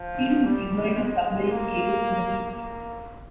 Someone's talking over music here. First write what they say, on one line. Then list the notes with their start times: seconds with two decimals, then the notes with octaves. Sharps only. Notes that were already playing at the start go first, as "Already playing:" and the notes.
Field was ignorant of submarine cables and the deep sea.
Already playing: F3
0.45 G3
0.96 G#3
1.48 A#3
2.51 A#3